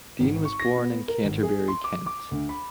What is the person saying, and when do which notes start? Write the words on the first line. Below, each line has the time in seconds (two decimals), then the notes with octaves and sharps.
Dean was born in Canterbury, Kent.
0.20 G#1
0.45 C#6
0.60 A#6
0.76 B3
1.08 A#4
1.25 G#1
1.43 G#4
1.68 C6
1.84 D6
2.06 D6
2.31 D2
2.49 B5